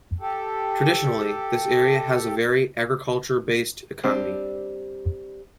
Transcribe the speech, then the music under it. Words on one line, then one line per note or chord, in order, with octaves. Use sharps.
Traditionally, this area has a very agriculture-based economy.
G4 A4
G3 C4 D4